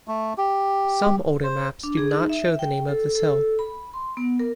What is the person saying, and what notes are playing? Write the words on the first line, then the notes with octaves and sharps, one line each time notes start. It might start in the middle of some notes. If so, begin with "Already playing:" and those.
Some older maps do not show the name of this hill.
A3
G4
C5
D4
G#4
D#4
E5
G5
A4
A4
B5
C6
B3
A#4